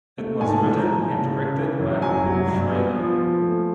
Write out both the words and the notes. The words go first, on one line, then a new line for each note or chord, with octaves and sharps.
It was written and directed by Paul Schrader.
A3
G#2 G#5
A5
E3
A#5
G#2
G#5
C#3 A5
C#3
E3
F#2
F#3 G#5
F#3
G2
B3
F3
F3
A3